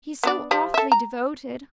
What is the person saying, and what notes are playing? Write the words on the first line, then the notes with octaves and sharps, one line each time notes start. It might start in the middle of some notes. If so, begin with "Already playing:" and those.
"He's so awfully devoted!"
B3 D4 D5
F3 G4
A4 E5
A#5